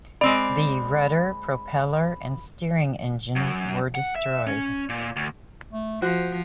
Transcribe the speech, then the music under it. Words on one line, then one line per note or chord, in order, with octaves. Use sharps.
The rudder, propeller and steering engine were destroyed.
G#3 C4 D5 B5
F#2
F#5
E5
C#4
A#2
D2
A3
F3 F#4 C5